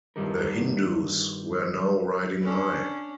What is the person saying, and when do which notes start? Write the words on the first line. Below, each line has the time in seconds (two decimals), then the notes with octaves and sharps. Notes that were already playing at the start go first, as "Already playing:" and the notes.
The Hindus were now riding high.
0.16 G2 D#3 G3 D#4 A#4
2.41 C#4 D4